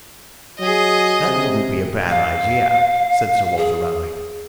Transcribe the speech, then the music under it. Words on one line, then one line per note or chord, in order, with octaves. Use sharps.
"That wouldn't be a bad idea," said Sir Walter Raleigh.
F#3 G#4 D#5
C3
F5
G#4